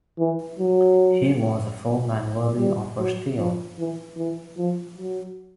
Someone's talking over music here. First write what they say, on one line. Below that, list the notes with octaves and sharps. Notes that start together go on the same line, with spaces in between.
He was a foeman worthy of her steel.
E3
F#3
G3
F#3
F3
E3
E3
F3
F#3